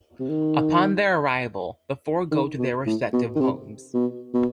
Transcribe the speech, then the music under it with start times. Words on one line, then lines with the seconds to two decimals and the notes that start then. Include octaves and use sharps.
Upon their arrival, the four go to their respective homes.
0.19 C3
0.29 D#3
2.31 D#3
2.58 B2
2.86 A2
3.13 B2
3.35 D#3
3.40 C3
3.94 B2
4.34 B2